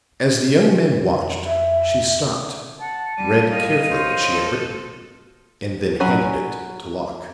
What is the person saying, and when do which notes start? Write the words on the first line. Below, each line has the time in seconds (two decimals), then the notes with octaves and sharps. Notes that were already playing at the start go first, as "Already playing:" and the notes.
As the young men watched, she stopped, read carefully what she had written, and then handed it to Locke.
1.08 F2
1.45 E5
2.80 F#5 A5
3.17 G3 D#7
3.51 D#5 F5
3.90 C5 C#5
4.31 A4
6.00 F#3 C#4 G#5 B5